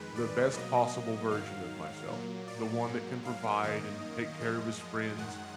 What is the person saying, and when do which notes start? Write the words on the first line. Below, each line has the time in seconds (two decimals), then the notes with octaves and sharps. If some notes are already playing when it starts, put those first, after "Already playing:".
the best possible version of myself. The one that can provide and take care of his friends,
Already playing: F2 D#3 G#3 B4
0.16 D5
0.54 B2 F#3 A#3 D#5
1.31 G#2 D#3 F#3 F5
2.08 A#2 F#3 A#3
2.48 D5
2.86 G#2 F#3 A#3
3.25 F5
3.63 F#2 D#3 A#3 D#5
4.40 F#2 F3 G#3 D#5
5.18 F#2 D#3 G#3 F#5